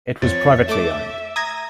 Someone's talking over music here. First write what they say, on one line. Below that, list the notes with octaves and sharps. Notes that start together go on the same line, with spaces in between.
It was privately owned.
F2 C#5 A6
A3 E5 D6
A#5 D#6 G#6 A#6